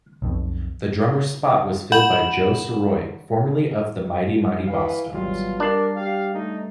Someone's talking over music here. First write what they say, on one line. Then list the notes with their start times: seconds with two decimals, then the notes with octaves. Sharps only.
The drummer's spot was filled by Joe Sirois, formerly of The Mighty Mighty Bosstones.
0.22 B1 F2 B2
1.92 F#5 B5 G6 E7 F#7
4.67 E3 F5
5.14 G#1 B2 F#3 G3 F4
5.60 G3 D4 A#4 A6 C7
5.96 G4 F5
6.34 A3 D#4